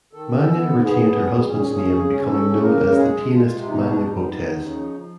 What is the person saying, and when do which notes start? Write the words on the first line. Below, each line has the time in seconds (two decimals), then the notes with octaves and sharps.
Mania retained her husband's name, becoming known as the pianist Manya Botez.
0.13 D#3 A4
0.31 B3
0.49 B3
0.66 G#2
0.84 B3 G#4
1.02 B3
1.19 G3
1.38 A#2
1.55 C#4
1.73 C#4
1.91 C#3
2.09 C#4
2.27 C#4 A4
2.44 C#3
2.62 A#3 A#4
2.79 C#3
2.97 G#3 G#4
3.15 G#3
3.33 G#3 F4
3.51 C3
3.68 B2 D#4
3.87 D4
4.05 G3
4.22 B3
4.40 D#2
4.57 C#3
4.75 F3
4.93 F3